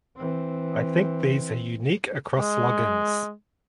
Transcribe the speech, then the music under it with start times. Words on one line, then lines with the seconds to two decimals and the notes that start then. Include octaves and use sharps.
I think these are unique across logins.
0.17 E3 C4
2.39 G#3